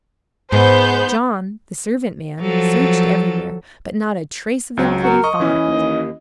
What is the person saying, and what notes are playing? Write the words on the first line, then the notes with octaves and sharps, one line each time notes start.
John, the servant-man, searched everywhere, but not a trace of them could he find.
G#2 B3 C5 G6
F3 F#3 A4
C#2 F#3 C4
F#4 A#4
D#5 C#6
B2 E3 C#4 E4
D#2